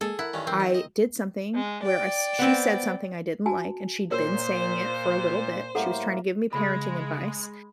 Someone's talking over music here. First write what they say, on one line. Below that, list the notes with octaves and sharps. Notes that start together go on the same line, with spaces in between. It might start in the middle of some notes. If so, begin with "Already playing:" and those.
I did something where I s she said something I didn't like and she'd been saying it for a little bit. She was trying to give me parenting advice
G#3 A#3 G#4 A4
E4 A#4 F#5
G2 D#3 C#4
E3 C4 A#4
D#4
D#5
G#3
D5 G5
B3 C4
F#4 G#5 A5
A#2 A#4 C5 C#5
A2 G3 A#3 A4 F#5
C#3 G#3 B5